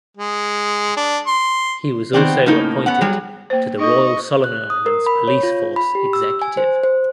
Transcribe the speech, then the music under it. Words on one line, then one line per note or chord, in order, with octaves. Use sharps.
He was also appointed to the Royal Solomon Islands Police Force Executive.
G#3
D4
C6
D#3 B3 C4 D5
A2 C#3 A#3 D#4
B3 C#4 F#5
F#3 G3 G#4
A#3 C5
D#4 A4 D#5 C#6
F#6
D#6
A#4
B5
C#5
F4
B5
G4
E6
G#5
C5
C5